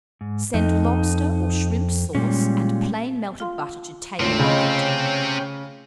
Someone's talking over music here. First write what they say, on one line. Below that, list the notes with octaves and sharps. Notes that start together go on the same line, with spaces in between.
Send lobster or shrimp sauce and plain melted butter to table with it.
G#2
F2 D#4
A#2 G3 G#3 C#4
F4 F5 C6
G#1 D2 C3 A3 C4 F4 C#5
C#3 C#4 D#5 G5 B5 C6